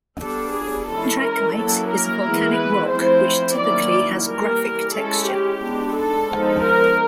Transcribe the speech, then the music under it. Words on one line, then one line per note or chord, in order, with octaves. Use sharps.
Trachyte is a volcanic rock which typically has graphic texture.
G3 B3 D4 A4
G#4
E3 G#3 C#4 E4 A4
A#4
F#3 A#3 C#4 E4 A4
A#4
E3 G#3 B3 E4
B4
F3 A3 C4 E4 C5
D#3 F#3 A#3 C#4 E4 D5
E3 G3 A#3 A#4
G#3 C#4 E4 A4
G4
G#3 B3 D4
A4
F3 G#3 B3 D#4
A#4